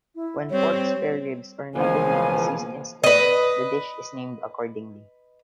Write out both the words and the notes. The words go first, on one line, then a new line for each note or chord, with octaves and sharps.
When pork spareribs or another meat is used instead, the dish is named accordingly.
E4
G3 C4 C#5
C#2 B2 E3 F3 A#3 F5 G#5
B4 D#5